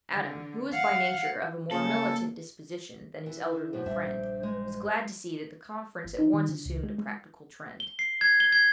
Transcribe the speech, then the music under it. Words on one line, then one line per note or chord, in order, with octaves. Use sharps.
Adam, who was by nature of a more militant disposition than his elderly friend, was glad to see that the conference at once assumed a practical trend.
D3
F5 F#5
C#3 A#3 A4
E3
F#2 B2 C5
A#1 G2 D4 E5
G#3
G1
D#4
D#3
D3
C#2
G#3
G#3
G7
C7
G#6
G7
G#6